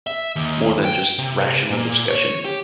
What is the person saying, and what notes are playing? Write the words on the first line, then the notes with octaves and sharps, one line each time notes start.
more than just rational discussion,
E5
D#2
G5
C3
A#2
C#5
G4